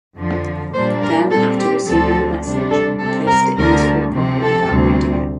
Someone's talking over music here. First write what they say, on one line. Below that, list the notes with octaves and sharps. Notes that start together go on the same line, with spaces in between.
Then after receiving the message, placed it in his coat pocket without reading it.
F2 D3 F3
A#2 G3 A#3 D4 C5
A#4
A#2 G3 C4 A4
G4
D2 D3 F3 C4 A4
C3 G3 D4
A4
C3 G3 C4 A4
A#4
D2 D3 G3 A#4
C3 F3 C4
A4
D2 C3 G3 C4